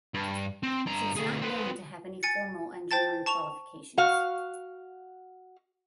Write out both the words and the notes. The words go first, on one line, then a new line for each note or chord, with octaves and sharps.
She was not known to have any formal engineering qualifications.
G2
C4
G2 A#5
D2 G#4
C4 B4
G#5 A6 C#7
C5 G5 A5 A6
A5 C#6 E7 F7
F#4 F5